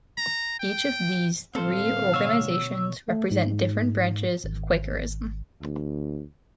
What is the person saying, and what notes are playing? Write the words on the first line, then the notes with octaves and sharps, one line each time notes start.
Each of these three organizations represent different branches within Quakerism.
A#5
G5
A2 D3 G3 C4 A4 C5 F5
B2 C#5 E6
A3
G#2
G#1
D2